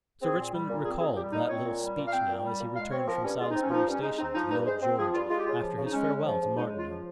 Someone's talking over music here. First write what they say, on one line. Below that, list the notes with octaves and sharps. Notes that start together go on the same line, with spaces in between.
Sir Richmond recalled that little speech now as he returned from Salisbury station to the Old George after his farewell to Martineau.
C4 G#4
A#2
G3
A#2
C4 G#4
A#2 G#4
G3 G4
A#2 D#4
D#5
C4 C#5
A#2
G3
A#2
F5
C4 G5
A#2
G3
A#2
G#3 F5
C4 C#5
F3 A#4
G2 C#4
G#3 F4
C4 D#4
C#4
F3 D#4
G2 C#4
G#3 D#4
C4 D#4
F3 D#4
G2 D#4
G#3 C5
C4
F3 G#4
G2 F4
G#3 F4
G4
C#3 F4
F3
C#3
D#4
G#3 C#4
C#3
F3
C#3
G#3 D#4
C#3
F4
F3